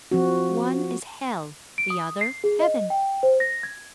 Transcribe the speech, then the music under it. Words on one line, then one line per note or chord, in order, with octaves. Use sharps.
One is Hell--the other Heaven.
F3 C4 F#4
D7
D#6
C7
G#4
D#5
G5
C5
A#6
G#6